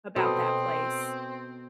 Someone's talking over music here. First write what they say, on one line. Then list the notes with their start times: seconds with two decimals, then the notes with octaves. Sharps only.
about that place.
0.16 B2 B3 C4 A4